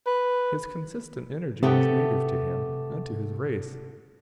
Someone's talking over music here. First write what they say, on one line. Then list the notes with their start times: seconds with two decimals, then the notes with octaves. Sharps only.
His consistent energy is native to him and to his race.
0.06 B4
1.63 C3 A3 B3 G4